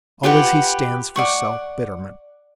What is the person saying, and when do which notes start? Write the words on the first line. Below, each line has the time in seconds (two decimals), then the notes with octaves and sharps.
Always he stands for self-betterment.
0.23 F4 G4 B4 F#5
1.16 D5 F#5 C#6